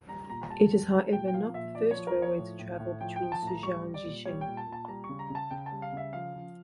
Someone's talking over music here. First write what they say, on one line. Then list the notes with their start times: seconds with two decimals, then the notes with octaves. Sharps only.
It is however not the first railway to travel between Suzhou and Jiaxing.
0.09 G3 A#5
0.29 A#2 A#5
0.50 G3 A5
0.71 G3
0.92 G3
1.12 A#2 G5
1.28 G5
1.33 F3 F5
1.54 A#2 E5
1.75 F3 D5
1.91 C#5
1.96 F3
2.07 A#4
2.17 F3
2.22 C#5
2.38 A2
2.59 A2
2.80 A2
3.00 F3 G5
3.16 G5
3.21 F3
3.32 A5
3.42 A2
3.47 A#5
3.63 G3 C#6
3.83 G3
3.94 D5
4.04 A#2
4.25 G3 C#5
4.41 G5
4.46 A#2
4.57 A5
4.67 A#2
4.72 A5
4.88 G3 A#5
5.04 C#6
5.09 C#3
5.19 A#5
5.30 C#3
5.35 A5
5.51 C#3 G5
5.66 A5
5.71 G3
5.82 F5
5.93 C#3 E5
6.13 F3 F5
6.34 F3